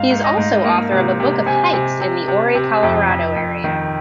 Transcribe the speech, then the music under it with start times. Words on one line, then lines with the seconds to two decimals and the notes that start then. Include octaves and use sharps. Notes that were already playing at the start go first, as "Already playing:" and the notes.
He is also author of a book of hikes in the Ouray, Colorado area.
Already playing: G#2 F5
0.10 G#2
0.24 D#5
0.38 G#2
0.64 A#3
0.92 C3
1.20 C3
1.46 C3 G#5
1.73 C3
2.01 C3
2.28 C3
2.55 C3
2.83 F2
3.09 F2
3.36 F2
3.64 D#3